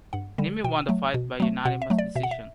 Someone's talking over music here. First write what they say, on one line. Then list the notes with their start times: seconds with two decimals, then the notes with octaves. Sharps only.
Niimi won the fight by unanimous decision.
0.13 G2 F#5
0.38 D3 G3
0.64 B2 G5
0.89 F#3 A3
1.14 B2
1.40 F#3 A3
1.65 B2 F#5
1.82 E5
1.90 F#3 A3
1.98 D5
2.16 B2 E5
2.23 F#5
2.31 E5